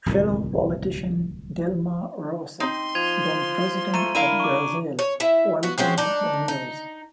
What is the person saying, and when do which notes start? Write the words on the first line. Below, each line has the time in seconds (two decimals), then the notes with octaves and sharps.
Fellow politician Dilma Rousseff, then president of Brazil, welcomed the news.
0.06 D1 C2 F2 D#3
2.60 C4 D#4 C6
2.95 F3 G#6 D#7 F7
3.94 A3 A#5 D#7
4.15 D4 E4 A#4 F5 A#5 D#7
4.40 C#6 D6
4.99 C#5
5.20 E4 E5
5.63 B3 F#4
5.78 G#3 C4 C#4 F#4
5.98 D4 D#4
6.48 D#4